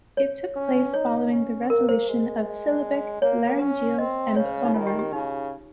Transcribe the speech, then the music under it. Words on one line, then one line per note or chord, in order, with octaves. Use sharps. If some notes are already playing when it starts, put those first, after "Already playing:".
It took place following the resolution of syllabic laryngeals and sonorants.
C#5
C#4
D#4 C#5
C#4
A#3 A#4
C5
G#3
A#3 C#5
C#4
C4 D#5
C#3 C#5
C5
D#4
D#3 F4
G4
G4
C#3 D#4